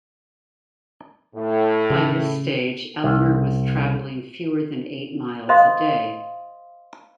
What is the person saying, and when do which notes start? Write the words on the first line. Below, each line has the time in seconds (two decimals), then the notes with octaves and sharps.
By this stage Eleanor was travelling fewer than eight miles a day.
1.35 A2
1.90 C#3
3.04 C2
5.49 C5 D#5 F5 C6 D#6